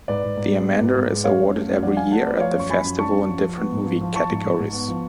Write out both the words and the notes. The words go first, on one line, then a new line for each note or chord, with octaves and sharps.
The Amanda is awarded every year at the festival in different movie categories.
G#2 B4 D5
G#2
G#2
G#3
B3
G#2
G#2
G#3
F#2 C#5 F5
F#2
A3
F#2
F3 D5 F#5
D4 F5 G#5
A3 F#5 A5
A3 B4 D5
F3 C#5 F5
F#2 C#6
F3 G#5 B5
F#2
D4 A5 C#6
F#2
F3
F3
B3
G#2
F3
F3
F3 A5 C#6
G#2
G#2
G#2
B3
F3